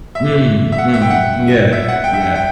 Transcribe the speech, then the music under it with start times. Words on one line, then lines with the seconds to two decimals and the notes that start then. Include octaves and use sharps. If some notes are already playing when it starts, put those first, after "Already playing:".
Mm. Mm. Yeah. Yeah.
0.15 E5
0.72 E5
0.78 F#5
0.94 E5
1.02 G5
1.10 F#5
1.73 E5
1.88 F#5
2.04 G5
2.14 E5
2.21 F#5
2.35 G5